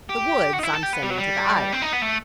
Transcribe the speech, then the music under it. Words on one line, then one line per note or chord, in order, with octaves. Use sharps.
The Woods I'm sending to the Island.
G4
F#4
D#4
E4
A4
G4
B3
G3
F#3
G3
C4
D#4
B3
A3